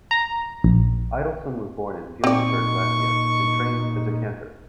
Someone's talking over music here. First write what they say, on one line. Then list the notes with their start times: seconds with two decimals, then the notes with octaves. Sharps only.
Idelsohn was born in Feliksberg, Latvia and trained as a cantor.
0.11 A#5
0.64 A#1
2.24 A#2 C4 D#4 D5 C#6